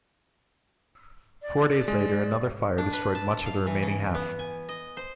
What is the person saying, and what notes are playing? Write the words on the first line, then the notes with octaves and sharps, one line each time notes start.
Four days later another fire destroyed much of the remaining half.
D5
G#3
D4
B4
A5
F5
E3
C#3
B3
G#5
D#5
C5